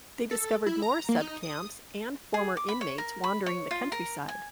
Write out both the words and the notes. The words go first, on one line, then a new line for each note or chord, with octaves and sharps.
They discovered more subcamps and former inmates wandering the countryside.
A4
E4
A#5
A#3
D#4
D#6
G#4
D6
B5
C#5
A#4
B5
C#5
F4
A#4
G#5